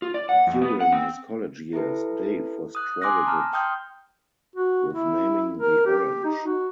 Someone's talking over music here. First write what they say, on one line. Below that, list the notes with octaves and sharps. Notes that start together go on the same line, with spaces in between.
During his college years, Dave was credited with naming the "orange".
F4
D5
F#5
F2
B3
F#5
C4
E4 G4 A4 B4
D#6 F#6
G#5 C6 D6 D#6 F#6 A#6
A5 A#5 F6
G5 C6 D#6 F6 G6
F#4
E4
A#4
G4
D#4
F#4